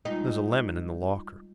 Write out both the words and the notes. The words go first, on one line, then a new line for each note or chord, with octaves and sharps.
There's a lemon in the locker.
G3 G#3 D#4 F4